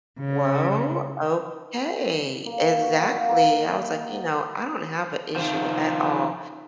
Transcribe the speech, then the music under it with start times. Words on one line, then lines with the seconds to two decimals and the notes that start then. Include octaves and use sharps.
well, okay." Exactly, I was like, you know, "I don't have a issue at all.
0.20 C#3
2.46 A#3
2.81 F#4
3.14 F5
3.29 A#3
3.65 D#5
3.96 F#5
5.36 D#3 F3